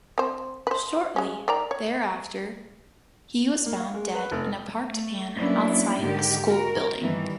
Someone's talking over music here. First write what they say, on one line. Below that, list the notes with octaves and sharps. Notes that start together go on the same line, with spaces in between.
Shortly thereafter, he was found dead in a parked van outside a school building.
C4 C5
B4 C5
G#3 C#4
D#3 D5 A#5
C#5
A#3
F5
G#3
B4
F1
A3
F#3 A#3 B3 C#4 D4 E4
G#2 D3 D#3 G#3 G4
F#4 A#4
G2 D#3 E3 G3